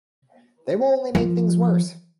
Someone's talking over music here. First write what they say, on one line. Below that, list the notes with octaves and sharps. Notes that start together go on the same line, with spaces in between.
They will only make things worse.
F3